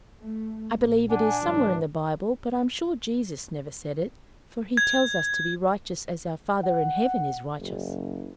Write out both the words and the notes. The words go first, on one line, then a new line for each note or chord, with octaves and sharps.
"I believe it is somewhere in the Bible, but I am sure Jesus never said it, for he tells us to be righteous as our Father in heaven is righteous."
A3
A#1
D4 F#5 G#5
C2 G#2 E3 F#3
G#6
F#5
F#1